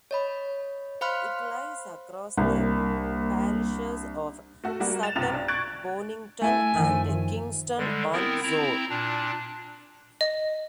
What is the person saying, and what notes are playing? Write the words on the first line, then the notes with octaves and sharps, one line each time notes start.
It lies across the parishes of Sutton Bonington and Kingston on Soar.
C#5 D#5 B5
C5 F5 B5 C6 F6 F#6
C2 G3 A#3 D4
A3 F#4 A4
G3 A#3 F#4
A6 E7 F7
B1 G2 C3 F4 A6 F7
D4
C#6 F#6 G#6 A6 D7
A3 E4 G#5
F#2 D#3 F3
D3 G3 G#3
B3 C4 E4 A#4
C4 E4 A#5
A#2 D4
D#5